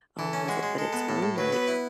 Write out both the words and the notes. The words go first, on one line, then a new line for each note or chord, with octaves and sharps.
um, with it, but it's roommates
E3 A4
C#4
G#3 F#4
G#3
G#3 A4
B3
A2
A2
F#3 B4
B3
E4